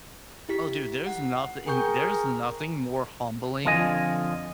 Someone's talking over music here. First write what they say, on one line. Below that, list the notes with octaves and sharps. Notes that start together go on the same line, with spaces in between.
Oh, dude, there's nothing there's nothing more humbling
E4 G4 B6
F#5
G#4 A#4 G5 C#6 G6
F2 D3 F4 D#5 G#5